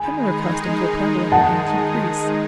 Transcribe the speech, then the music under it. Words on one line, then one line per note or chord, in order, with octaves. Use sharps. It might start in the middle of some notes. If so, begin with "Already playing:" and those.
Similar customs were prevalent in Ancient Greece.
Already playing: D#3 G#3 D#4 G#4 G#5 B5
F#5 A5